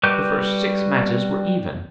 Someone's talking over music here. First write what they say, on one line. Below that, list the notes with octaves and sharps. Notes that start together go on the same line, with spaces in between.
The first six matches were even.
G3 F#4 B4 D6 G6